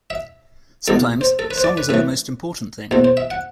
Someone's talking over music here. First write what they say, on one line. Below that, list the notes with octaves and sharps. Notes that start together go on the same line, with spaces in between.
Sometimes, songs are the most important thing.
E5
E2 B2 A4
C5
A4
B4
C5
D5
B4
A2 E3 B4
E2 B2 C5
C5
E5
F#5